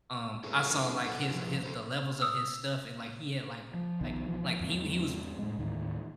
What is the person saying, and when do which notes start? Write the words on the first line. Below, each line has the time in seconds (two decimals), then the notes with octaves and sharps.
um, I saw, like, his his the levels of his stuff and, like, he had, like like like he he was t
0.44 E4 G#4 A4 B4 C#5
0.70 A3 C#4 D#4 E4 G#4 A#4
1.04 D4 E4 A4 F#5
1.30 C3 F3 E4 G#4
1.63 A4 A#4 C5
2.22 D#6 E6
3.74 F3
4.01 B1 D#3 B3
4.26 E3 F3
4.60 E2 G#2 G#3 C4
5.39 A2 G#3
5.58 D#2 A2 D#3 E3